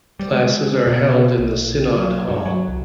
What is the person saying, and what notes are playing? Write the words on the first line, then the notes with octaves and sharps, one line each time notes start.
Classes were held in the Synod Hall.
G3
G#3
B2
B1
F#3
G2
F#3
C2